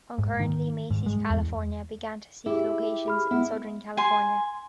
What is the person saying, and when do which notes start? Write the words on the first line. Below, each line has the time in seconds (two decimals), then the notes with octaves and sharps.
Concurrently, Macy's California began to seek locations in Southern California.
0.18 G#2
0.40 D#3
0.90 G#2
1.06 G#3
1.30 E2
2.46 E4 G4 G#4
3.06 G#4 B5 F6
3.31 B3 E4
3.97 G#5 C6